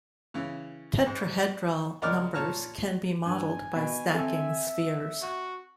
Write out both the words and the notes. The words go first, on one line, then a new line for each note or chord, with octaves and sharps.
Tetrahedral numbers can be modelled by stacking spheres.
C#3 E3
G#2
C#2 A#4 D5 D#5 D6 F6
A#2 C#5 A5 A#5 F6
G2 G#5
B2
C4 A4 E5
F#4